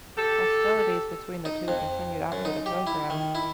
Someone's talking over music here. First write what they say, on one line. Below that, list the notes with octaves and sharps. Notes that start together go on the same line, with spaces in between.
Hostilities between the two continued after the program.
G4 A4
D#4
F2
F#2
D#4
G4
E4
D#3
E4